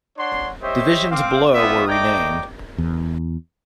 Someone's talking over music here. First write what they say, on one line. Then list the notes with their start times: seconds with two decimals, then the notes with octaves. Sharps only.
Divisions below were renamed.
0.18 D4 C#5 F#5 C6
0.62 G4 C5 C#5 D#5 E5
1.11 C4 F5 D6
1.55 B3 C4 F4 D5 E5 D#6
1.88 A3 D5 D#5 G5 A#5 D6
2.78 E2